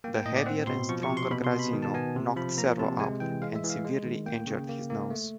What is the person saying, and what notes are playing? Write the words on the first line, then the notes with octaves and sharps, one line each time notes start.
The heavier and stronger Graziano knocked Servo out and severely injured his nose.
A#3 G5
G5
A2 D#5
D5
C4 F#5
B2 C6
F3 C#6
C#6
C3
C6
B2 B5
C6
B2
B5
D#3
A5
B3 G#5
C3
F3 B5
A#3 A#5
C3 A5
G#3 G#5
E3 G5
G#3 F5
E5
E3
F5
G#3
D#3
A#3 G5
C#3
A#3
A#3
A3